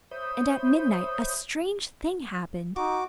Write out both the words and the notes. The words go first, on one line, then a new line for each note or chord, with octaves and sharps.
And at midnight a strange thing happened.
C5 C#5 E5 B5 D#6 G6
D#4 F#4 D6